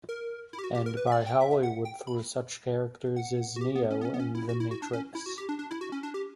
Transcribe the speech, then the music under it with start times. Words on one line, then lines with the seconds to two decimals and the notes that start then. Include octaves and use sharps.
And by Hollywood through such characters as Neo in "The Matrix".
0.09 A#4
0.53 E4
0.59 G4
0.64 F#4
0.75 G4
0.86 A#4
0.97 B4
1.07 E5
1.12 D5
1.26 G5
1.41 E5
1.63 F#5
1.85 G5
2.07 B5
3.16 F#5
3.56 F#4
3.61 G4
3.75 B3
3.90 C#4
4.01 B3
4.05 C#4
4.14 B3
4.20 C#4
4.35 E4
4.49 F#4
4.60 E4
4.71 F#4
4.82 D4
4.93 C#4
5.15 E4
5.26 F#4
5.38 G4
5.49 D4
5.59 D4
5.71 E4
5.81 F#4
5.92 C#4
6.03 D4
6.14 G4